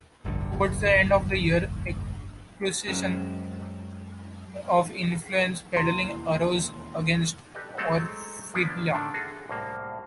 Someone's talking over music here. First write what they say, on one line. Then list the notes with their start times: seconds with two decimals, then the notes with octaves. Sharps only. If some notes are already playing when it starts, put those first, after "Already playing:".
Towards the end of the year, accusations of influence peddling arose against Orfila.
0.25 F1 A#1 G2 D3
2.88 F#2 F#3 G#3 C4 C#4 A#4
5.77 E1 D#2 E4 C6
7.55 G4 A4 B4 D5 D#5
7.77 F#3 G#3 A3 C4 A4
8.54 F3 A#3 B3 D4 E4
8.93 A2 D3 D#3 D4
9.14 F#4 G#4 A4
9.49 C2 A2 A#3